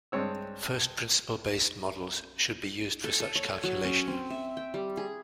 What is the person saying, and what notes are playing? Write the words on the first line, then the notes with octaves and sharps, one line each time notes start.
First-principle based models should be used for such calculation.
G2 G#3 C4 C#5 E6
A4
A4
C#5
F#3
C#4
C4
E5
G5
G3
G#4